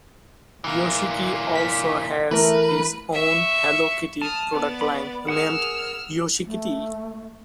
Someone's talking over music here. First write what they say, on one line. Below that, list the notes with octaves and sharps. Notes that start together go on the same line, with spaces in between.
Yoshiki also has his own Hello Kitty product line, named "Yoshikitty".
E3 A#3
B6
E3 A3 A#4 B4
E5 C#6
A5 D#6 F6
B3 D5
B5
G#4 A#4 F#5 E6 F6
A3